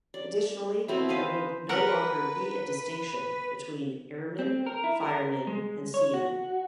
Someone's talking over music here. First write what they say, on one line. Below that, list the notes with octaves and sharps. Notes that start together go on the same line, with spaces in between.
Additionally, there will no longer be a distinction between 'airman, fireman and seaman.
D5
B2 C4 E4
B4 C5 D#5 F5
A#4 B4 F#5
C4
A#4
E4
A#4
G#3
C#5
F#4